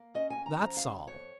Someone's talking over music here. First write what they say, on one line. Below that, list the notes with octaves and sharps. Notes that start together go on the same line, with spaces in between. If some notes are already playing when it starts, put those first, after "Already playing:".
That's all.
Already playing: A#3
C#4 D#5
G#5
C#4
A#5
F3 A#5
F5
C#3
F2 C#5